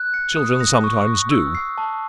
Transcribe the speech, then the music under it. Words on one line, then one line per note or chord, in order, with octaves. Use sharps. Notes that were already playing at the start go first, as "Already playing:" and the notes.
Children sometimes do.'
Already playing: F#6
C#7
D#6
A#6
C#6
A#6
E6
C7
A5